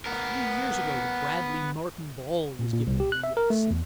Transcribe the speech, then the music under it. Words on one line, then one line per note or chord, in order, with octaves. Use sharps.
A few years ago the "Bradley-Martin ball" was given in New York city.
B3 A#4
A#2
A#2
C2
G4
F#6
E5
A#4
A3
E2